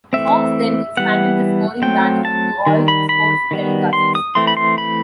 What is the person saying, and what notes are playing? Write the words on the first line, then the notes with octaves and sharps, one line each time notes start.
Fox then expanded the scoring banner to all sports telecasts.
E3 A3 C4 E5
E3 G3 B3 F#5
F#3 A3 C4 G5
A5
D#3 G3
B5
B5
D#3 G3 B3
C6
D#6
E3 A3 C4 C6
B5
C6
B5